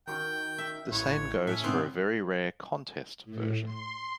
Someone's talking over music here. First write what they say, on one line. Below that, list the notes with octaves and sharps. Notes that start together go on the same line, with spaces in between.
The same goes for a very rare "contest" version.
D#3 F#4 G5 C#6 F6
E5
A1 E3 B4 C#5
A2 C#4 E5
G#2 C3 B3 C4
A2
C6